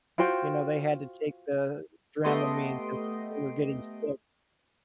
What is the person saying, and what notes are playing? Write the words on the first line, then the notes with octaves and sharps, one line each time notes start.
you know, they had to take the Dramamine, 'cause they were getting sick.
F4 F#4 C5 G5
A3 B3 G4 D#5 C6 D7